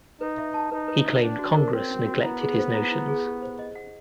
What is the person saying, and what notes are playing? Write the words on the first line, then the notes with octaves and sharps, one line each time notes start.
He claimed Congress neglected his notions.
D#4 B4
E5
A5
D#4 B4
B4
E5
C#4 D4
F#4
A#4
C4 C#5
C#4
F#4
B3 E4
G#4
C5
E4
E4
G#4
G4
C5
D#5
F#5